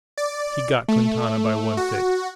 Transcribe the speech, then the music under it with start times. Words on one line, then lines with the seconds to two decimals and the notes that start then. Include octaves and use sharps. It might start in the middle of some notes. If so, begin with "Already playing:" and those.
He got Quintana by one foot.
0.17 D5
0.88 A3
1.77 F#4